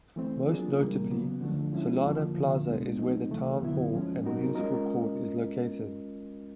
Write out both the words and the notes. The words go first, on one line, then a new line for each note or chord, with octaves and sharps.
Most notably, Solana Plaza is where the Town Hall and municipal court is located.
E3 A3 C4
F#3 A#3 D4 F4 G#4
C3 E3 G3 A#3
C#3 F#3 B3
D3 F3 A3 D4
F3 G#3 C#4 E4
F2 D3 F3 A#3
F2 D3 F3
C2 B2 G#3 B3 D4
F#3 A3 C4 D#4
D2 C3 E3 A3
F#2 D3 F#3 B3 E4
G#2 F3 G#3 C#4
F#3 B3 D#4 F#4 A#4
G#3 C#4 F4 A#4 D#5